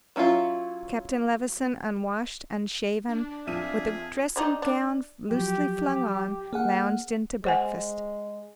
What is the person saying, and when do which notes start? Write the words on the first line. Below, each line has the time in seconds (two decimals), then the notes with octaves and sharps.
Captain Levison, unwashed, unshaven, with a dressing-gown loosely flung on, lounged in to breakfast.
0.16 F#3 C#4 E4 F4
3.09 D4
3.47 F2 F3 G#4 E5 D#7
4.36 G#3 D4 D#4
4.62 D4
5.31 F3 F#3 G4
6.53 A#3 G#4 F#5
7.45 G#3 C5 F#5 G#5